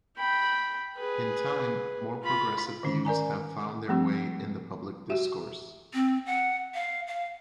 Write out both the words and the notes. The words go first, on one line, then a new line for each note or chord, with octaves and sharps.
In time, more progressive views have found their way in the public discourse.
G5 B5
G#4 B4
F4 B5
D3 D#3 C#4
A#4 D5 G#5 A#5
F3 G3 A3 C4 G4
F#4 G4 E5
C4
F#5
F5
F5